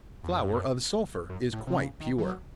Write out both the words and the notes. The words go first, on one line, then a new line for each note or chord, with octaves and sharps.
Flower of sulphur is quite pure.
E2
F#2
F#2
A2
C3
C#3
D#3
E3
F#3